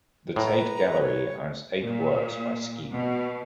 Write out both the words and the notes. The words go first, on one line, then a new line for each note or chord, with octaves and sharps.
The Tate Gallery owns eight works by Skeaping.
A2 B4 A#5
C#5
A#2
B2